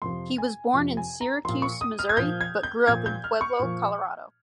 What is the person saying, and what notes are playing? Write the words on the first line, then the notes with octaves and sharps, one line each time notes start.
He was born in Syracuse, Missouri, but grew up in Pueblo, Colorado.
F2 C3 F3 C6
G#5
F2 C3 F3
G#5
A#5
A#2 F3 C6
C#6
D#6
F6
G#6
A#2 F3 G6
G#6
G6
A#2 F3 G#6
G6
F6
C#6
A#2 F3